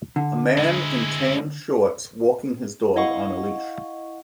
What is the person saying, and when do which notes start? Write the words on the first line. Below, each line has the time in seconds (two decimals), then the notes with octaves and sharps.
A man in tan shorts walking his dog on a leash.
0.16 D3
0.57 G#3 E4
2.96 E4 D#5 F5 F#5 C#6